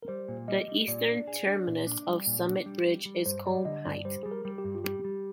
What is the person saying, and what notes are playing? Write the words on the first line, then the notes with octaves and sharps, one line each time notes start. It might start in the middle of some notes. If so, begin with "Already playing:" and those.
The eastern terminus of the summit ridge is Coomb Height.
A#4
G3 C5
A#2
G3 D#5
G3
A#2 D5
D4
G#4
D4
A#2
D4
G3
A#2
D4
G3
G3
G3
G2 C5
G3 D5
D3 D#5
G2 D5
G3 C5
G3 G#4
A#4
G3
G4
G2
F4
G3 G4
G3